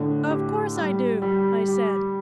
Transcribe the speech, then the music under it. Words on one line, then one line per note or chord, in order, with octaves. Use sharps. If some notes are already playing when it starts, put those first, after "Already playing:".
"Of course I do," I said.
Already playing: A2 D3
G4
G3
G3
G4